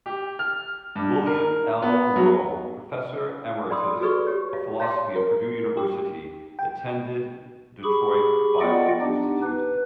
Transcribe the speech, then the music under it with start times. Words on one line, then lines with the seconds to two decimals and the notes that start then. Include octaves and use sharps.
William L. Rowe, professor emeritus of philosophy at Purdue University, attended Detroit Bible Institute.
0.06 G4
0.39 F6
0.96 G2
1.27 A#4
1.82 B3
2.16 F#3
3.70 D5 G5 B5 C6 D#6 E6
4.00 F#4 G#4 A4 B4 D5 C#6
4.27 G4 C#5
4.53 F5
4.80 C#5 E5 F5 G5 A5 C6
5.16 A#4
5.77 G4
6.59 G5
7.83 G4 G#4 B5 C#6
8.61 B3 F4 D5 D#5 F#5 G5
9.01 B3 D4 D#4 G4
9.43 B4